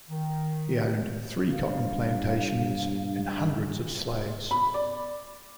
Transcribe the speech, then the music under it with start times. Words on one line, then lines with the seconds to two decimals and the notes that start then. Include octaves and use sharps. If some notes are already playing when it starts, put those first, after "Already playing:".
He owned three cotton plantations and hundreds of slaves.
0.09 D#3
1.51 G2 F5
4.51 B5
4.74 D5